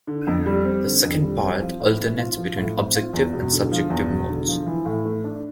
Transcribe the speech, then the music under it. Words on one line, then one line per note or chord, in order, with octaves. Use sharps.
The second part alternates between objective and subjective modes.
D3
F2
G3
C4
D3
F2
G3
C4
F3
A2
C4
F4
F3
A2
C4
F4
E2
E1
D3
F3
E2
E1
D3
F3
E3
A2
A3
D4